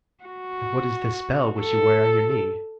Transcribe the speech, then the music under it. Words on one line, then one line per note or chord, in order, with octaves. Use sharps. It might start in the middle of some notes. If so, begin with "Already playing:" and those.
"And what is this bell which you wear on your knee?"
F#4
A4